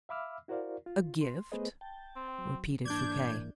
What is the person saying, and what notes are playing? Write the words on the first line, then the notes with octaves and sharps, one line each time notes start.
"A gift?" repeated Fouquet.
E5 F5 B5 D6 E6 F6
E4 F#4 A#4 C5 D5 F5
F4
C6
A3 B3 G#4 B4 C5 D#5
G5 A5
C4
F#3
G#2 E3 A#3 D4 D5 G6 G#6